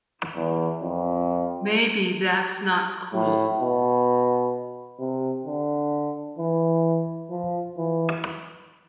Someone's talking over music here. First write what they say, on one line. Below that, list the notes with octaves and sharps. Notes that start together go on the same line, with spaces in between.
Maybe that's not cool.
E2
F2
A2
B2
C3
D3
E3
F3
E3